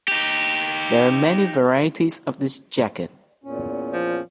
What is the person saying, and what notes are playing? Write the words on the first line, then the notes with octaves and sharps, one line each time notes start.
There are many varieties of this jacket.
D#4 G4
E2 A#2 C#4
F3